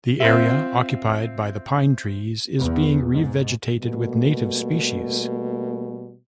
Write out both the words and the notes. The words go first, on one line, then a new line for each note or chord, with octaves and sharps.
The area occupied by the pine trees is being revegetated with native species.
C4 F4 E5
E2
G#2
B2 G3 A3 A#3